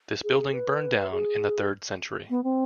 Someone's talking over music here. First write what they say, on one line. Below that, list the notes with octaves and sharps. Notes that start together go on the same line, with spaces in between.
This building burned down in the third century.
G#4
B4
G#4
B3
C4